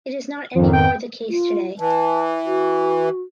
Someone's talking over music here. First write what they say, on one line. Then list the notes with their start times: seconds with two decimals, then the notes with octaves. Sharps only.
It is not anymore the case today.
0.55 F2 G#2 D#3 F3
0.73 G5
1.29 F4
1.79 E3 A5
2.46 F#4